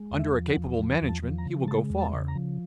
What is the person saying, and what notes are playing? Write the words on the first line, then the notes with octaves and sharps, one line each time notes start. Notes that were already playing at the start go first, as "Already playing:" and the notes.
Under a capable management he will go far.
Already playing: G#3
E2
E5
F3
F#5
E2
F3
E2
A5
F3
A#5
C#3
G#3 A5
E2
A5
C#3
A#5
F3